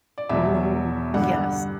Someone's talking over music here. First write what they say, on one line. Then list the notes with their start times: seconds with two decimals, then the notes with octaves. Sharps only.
Ooh, yes.
0.18 D5
0.29 E2 B2 F#3 E5
1.14 G2 D3 G3 F#5